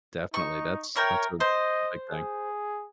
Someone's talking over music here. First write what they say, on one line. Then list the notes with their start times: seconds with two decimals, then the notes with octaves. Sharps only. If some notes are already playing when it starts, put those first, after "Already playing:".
Definitely, that's that's a that's a big thing.
0.34 D#4 C#6
0.96 E4 A#4 C#5 G5
1.40 C5 D#5
2.10 G#4